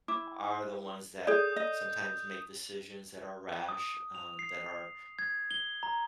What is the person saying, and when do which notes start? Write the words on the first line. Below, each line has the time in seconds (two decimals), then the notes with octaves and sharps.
are the ones that sometimes, make, decisions that are rash, um, that are,
0.08 E4 D6
1.27 G#4 A4 C#5 D5 D#6 G6
1.56 D#5
3.69 D#6
4.15 F7
4.39 C7
5.19 G#6
5.51 G7
5.83 A#5